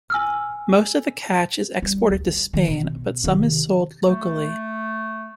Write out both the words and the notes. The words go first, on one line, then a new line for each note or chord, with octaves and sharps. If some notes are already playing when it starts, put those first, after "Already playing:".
Most of the catch is exported to Spain, but some is sold locally.
G#5 E6 F6
G3
D2
D#3
B2
C3 D#3
A3